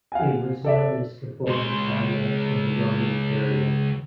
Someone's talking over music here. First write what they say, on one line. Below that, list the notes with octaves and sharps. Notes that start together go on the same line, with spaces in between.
It was known as "Kfar Hittaya" in the Roman period.
F5 F#5 G#5
A4 D5 E5
C#2 C6